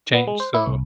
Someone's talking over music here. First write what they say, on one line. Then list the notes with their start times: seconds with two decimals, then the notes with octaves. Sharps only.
change, so,
0.14 B3
0.27 G#3
0.40 C5
0.54 E4
0.67 C2